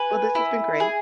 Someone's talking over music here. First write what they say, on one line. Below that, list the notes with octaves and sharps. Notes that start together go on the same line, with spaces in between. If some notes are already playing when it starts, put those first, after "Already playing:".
Well, this has been great.
Already playing: B4 G#5
E4
G#4